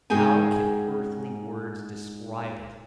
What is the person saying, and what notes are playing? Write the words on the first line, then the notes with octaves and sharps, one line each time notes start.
How can earthly words describe it!
G#2 F#4 G#4 G5 G#5